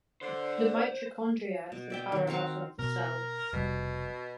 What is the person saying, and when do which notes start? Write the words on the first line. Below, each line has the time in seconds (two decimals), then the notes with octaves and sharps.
The mitochondria is the powerhouse of the cell.
0.21 D3 C5
1.72 B2
1.90 D5 E5 G5
2.12 D#3
2.27 C4 F#4 F5 C#6
2.79 B2 A#4
3.53 F1 B2 G3